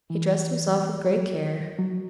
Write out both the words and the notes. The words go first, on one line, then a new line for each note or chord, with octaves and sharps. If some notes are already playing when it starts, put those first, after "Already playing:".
He dressed himself with great care.
E3
F#3
F#3